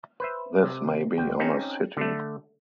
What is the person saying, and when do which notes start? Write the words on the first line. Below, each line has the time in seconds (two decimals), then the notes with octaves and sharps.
This may be on a city.
0.20 B4 C5 E5
0.63 C3
1.17 D2 G5
1.39 C4 C#4 D#4
1.97 D3 A3